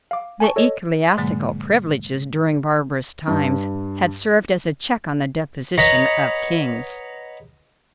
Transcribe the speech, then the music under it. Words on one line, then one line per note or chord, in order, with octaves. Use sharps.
The ecclesiastical privileges, during barbarous times, had served as a check on the despotism of kings.
F5 D6
G#5 A5 C#6
A4 C#5 D#5
G#2 B2 D3 F#3 G#3 A#3
G2
B4 C#5 D#5 F#5 A#5 B5